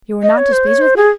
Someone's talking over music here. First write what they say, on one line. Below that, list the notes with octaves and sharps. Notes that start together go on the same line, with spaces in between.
"You are not displeased with me?"
D#5
C#5
C5
C#5
C5
G#4